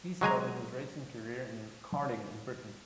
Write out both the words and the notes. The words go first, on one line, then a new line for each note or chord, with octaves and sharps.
He started his racing career in karting in Britain.
F#3 G#3 G#5 A#5